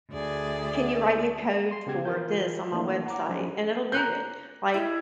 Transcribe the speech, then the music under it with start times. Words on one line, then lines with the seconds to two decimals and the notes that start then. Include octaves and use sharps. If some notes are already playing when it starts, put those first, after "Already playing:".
"Can you write me code for this on my website?" And it'll do it, like,
0.12 D2 G#4 D5 E5
1.71 C6 C7
1.87 C#3 B3 G4 G5 G#6
2.05 E3 F4 A#4 G6
2.72 E3 A3 A#3 D4 E4
3.06 F#5 A#5 D6
3.29 F3 F#3 C#4 D4 F4 G4
3.92 A#5 F#6 G6
4.74 E4 D#5